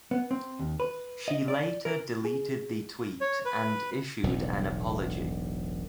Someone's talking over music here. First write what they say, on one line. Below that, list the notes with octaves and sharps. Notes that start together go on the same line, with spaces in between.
She later deleted the tweet and issued an apology.
B3
C4
D#2
B4
D#5
D5
A#4
G#4
C#5
B4
E1 B1 A2